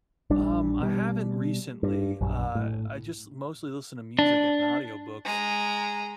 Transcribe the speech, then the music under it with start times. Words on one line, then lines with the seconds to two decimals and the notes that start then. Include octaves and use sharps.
Um, I haven't recently, uh, I just mostly listen to music and audiobooks.
0.30 A#1 G3 D4
0.80 B2 G3
1.83 G2
2.21 A#1 F#2
2.55 A2
4.19 D4
5.24 G#3 A#5